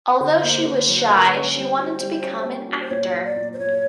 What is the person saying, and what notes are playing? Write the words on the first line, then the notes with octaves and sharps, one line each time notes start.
Although she was shy, she wanted to become an actor.
B4
D3 C5
A#3
D3
F#3 C5
B4
D3 A#4
B4
C#4
G3 C5
F#4
G3
C#4
A#3
F#4
C5
A#2 C#5
F#3
D5
A#2
C5
A#2 C#5